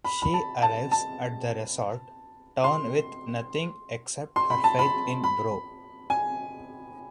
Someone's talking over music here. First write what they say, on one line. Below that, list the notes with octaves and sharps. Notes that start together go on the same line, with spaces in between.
She arrives at the resort town with nothing except her faith in Bro.
B5
B5
A5
A5
A5
C6
C6
B5
A5
B5
B5
G#5